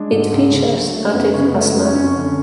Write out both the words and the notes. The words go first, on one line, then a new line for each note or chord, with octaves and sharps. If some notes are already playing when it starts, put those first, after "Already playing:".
It features Atif Aslam.
Already playing: G#3 D4
G#2
C#2
C#3
F#3
A3
F#2 B3
C#4
C#3 C#4
B3
G#3 A3
A3
F#2 B3
C#4
F2 C#4
D3